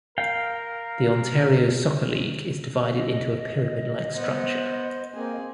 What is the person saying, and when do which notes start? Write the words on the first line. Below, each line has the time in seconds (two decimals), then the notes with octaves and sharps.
The Ontario Soccer League is divided into a pyramid-like structure.
0.18 A#4 F5 G5
2.95 D#5
4.16 B3 C5
5.14 A#3 C4 G#4